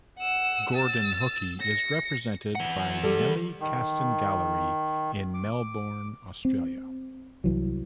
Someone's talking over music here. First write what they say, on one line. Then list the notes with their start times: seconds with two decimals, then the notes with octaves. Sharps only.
Gordon Hookey is represented by Nellie Castan Gallery in Melbourne, Australia.
0.19 F#5 E6
0.75 E6 A6
1.61 A#6 C#7
2.55 E3 F#5
3.04 G3 A4
3.60 D#3
5.34 D6
6.45 C4
7.44 C2 E3 F#3